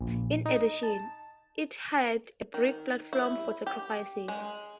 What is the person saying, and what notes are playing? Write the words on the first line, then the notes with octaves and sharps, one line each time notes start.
In addition, it had a brick platform for sacrifices.
A#1
D#4
A5
D#3
E4
G4
G#3